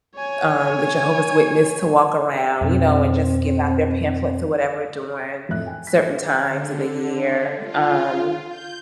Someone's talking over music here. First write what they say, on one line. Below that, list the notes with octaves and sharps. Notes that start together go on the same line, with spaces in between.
um, the Jehovah's Witness to walk around, you know, and just give out their pamphlets or whatever during certain times of the year, um
C#5 G#5
F2 B2 C4
F2 A2 E5 F#6
G5 G#5
B6
D3
F4
G6